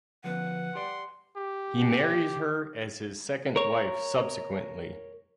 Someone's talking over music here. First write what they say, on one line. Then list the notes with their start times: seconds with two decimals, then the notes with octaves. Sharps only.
He marries her as his second wife subsequently.
0.24 D3 F3 B3 B4 F#5
0.75 G4 D5 C6
1.36 G4
3.56 A#4 C#5